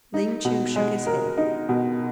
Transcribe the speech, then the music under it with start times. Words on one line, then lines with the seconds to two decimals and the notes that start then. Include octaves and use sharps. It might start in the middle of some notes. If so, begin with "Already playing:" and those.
Ling Chu shook his head.
0.14 D#4
0.45 B2
0.76 G#3
1.07 A#4
1.37 D#4
1.69 B2